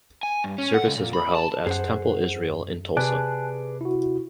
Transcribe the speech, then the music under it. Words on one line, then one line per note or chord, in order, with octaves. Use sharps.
Services were held at Temple Israel in Tulsa.
G#5
G2
C#4
F#5
C#2
A#2
B5
A5
F#2 G#4 C5 F#5
C3 G#4 B4 D5 G#5 A5 F#6
E4 F#4